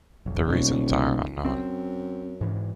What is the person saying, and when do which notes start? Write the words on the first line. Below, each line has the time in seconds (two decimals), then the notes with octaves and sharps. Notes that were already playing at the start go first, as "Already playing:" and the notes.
The reasons are unknown.
0.26 F1 B1
0.48 D#1 B1 B2
1.45 F#2 C4
2.41 G#2 E3